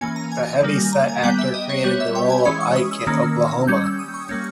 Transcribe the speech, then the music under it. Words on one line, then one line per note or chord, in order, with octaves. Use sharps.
The heavy-set actor created the role of Ike in Oklahoma!
E3 A#3 C#4 G#5
A#5
G#5
G#5
D#3 G3 A#3
G#5
A#5
G#5
G3 B3 G5
E5
D#5
C#5
G3 B3 C#5
E5
G5
G#5
E3 G#3 C#4 B5
C#6
D#6
E6
D#3 A#3 C#4
G3 C#4 G6
E6
D#6
C#6
G3 A#3 C#4